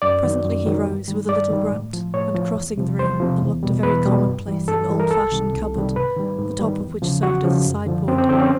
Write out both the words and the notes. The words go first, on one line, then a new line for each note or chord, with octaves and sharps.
Presently he rose with a little grunt, and, crossing the room, unlocked a very commonplace and old-fashioned cupboard, the top of which served as a sideboard.
F#2 D5
D#3 F#3
F#2
D#3 F#3
G2
D#3 G3
G2 D5
D#3 G3
A2
F3
A2 C#5
F3
E2
C3 F3
E2 C5
C3 F3
E2
B2 G3
E2 B4
B2 G3
G2
E3 G3
G2 A4
E3 G3
A#4
C2 A4
C3 D#3 G3
C2
C3 D#3 G3
G#2 B4
D#3 G3
G#2
D#3 G3
E2
C#3 F3
E2 F#4
C#3 F3
F#2
D3 F3
F#2 C4
C4
D3 F3 C4
C#4